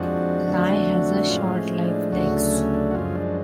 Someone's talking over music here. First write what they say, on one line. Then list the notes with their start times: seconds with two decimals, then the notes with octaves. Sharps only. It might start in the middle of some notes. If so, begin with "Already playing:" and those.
A lie has a short life legs.
Already playing: F2 F3 G#3 D4 F#4
0.47 F2 D3 F#3 A3
1.29 A2 F3 G#3 C#4 F4
1.57 C#4
1.84 D4
2.12 D2 C#3 F#3 A3 D4 F#4
2.32 D4
2.54 C#4
2.74 D4
2.91 F#4
2.94 F#2 F3 G#3 C#4 F4
3.15 D4